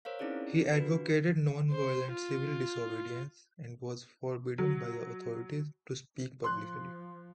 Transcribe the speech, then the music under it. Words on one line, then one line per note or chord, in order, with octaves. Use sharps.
He advocated non-violent civil disobedience and was forbidden by the authorities to speak publicly.
A#4 C5 C#5 F5
C4 C#4 D#4 E4 G#4 D5
D4 F4 F#4 B4
C5
F4
F#3
F3 C6 F#6